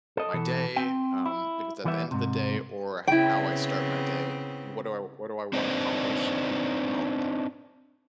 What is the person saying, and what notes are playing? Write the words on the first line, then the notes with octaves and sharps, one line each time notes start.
my day, um, if it's at the end of the day, or how I start my day, and what do I what do I wanna accomplish and and all of that.
A4 D#5
B2 E3 A4
C4 G5
E4
E3 G3 B3 E5
G#2 C3
C#3 B3 C4 E4 G5
C4 D4 D#4 B4 C5